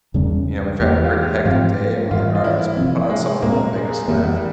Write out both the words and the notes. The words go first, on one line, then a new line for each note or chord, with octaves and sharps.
you know, we've had a pretty hectic day and we're like, "All right, let's put on something that'll make us laugh,"
E2 C#3 G3 C#4
E2 E3 A#3 G4
F4
G4
G#2 F3 C4 F4
G#2 E3 G3 F4
F4
E4
C3 F3 C4 E4
G#3
A#2 G#3 A#3 C4
G#3
F2 E3 G3 A#3
G3